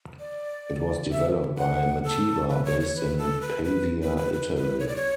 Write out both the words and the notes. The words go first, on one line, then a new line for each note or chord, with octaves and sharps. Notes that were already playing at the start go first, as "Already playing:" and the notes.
It was developed by Mateba, based in Pavia, Italy.
D5
E5
F#5
A4
B4
C#5
C#5
B4
A4
B4
B4
B4
B4
B4
B4
C#5
D5
C#5